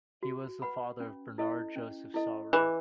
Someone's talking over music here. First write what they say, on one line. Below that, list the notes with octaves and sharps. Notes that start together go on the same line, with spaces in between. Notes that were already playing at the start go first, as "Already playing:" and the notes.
He was the father of Bernard-Joseph Saurin.
F#4
B4 F#5 B5
C#4
E4 A4 D#5
C#4
E4 A4 D#5
E3 G#4